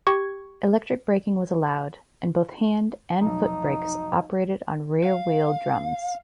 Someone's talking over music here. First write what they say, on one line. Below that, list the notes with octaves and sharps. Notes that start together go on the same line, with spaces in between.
Electric braking was allowed, and both hand- and foot-brakes operated on rear wheel drums.
G4 C#6 G#6
F1 B1 D#4
F5